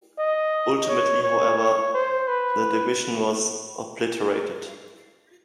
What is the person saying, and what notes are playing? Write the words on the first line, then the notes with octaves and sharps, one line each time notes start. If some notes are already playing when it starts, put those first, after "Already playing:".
Ultimately however, the division was obliterated.
D#5
C#5
C#5
C#5
C5
B4